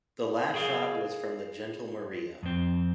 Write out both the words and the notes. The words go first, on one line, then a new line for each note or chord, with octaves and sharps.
This last shot was from the gentle Maria.
G#4 A#4 F5
F2 C4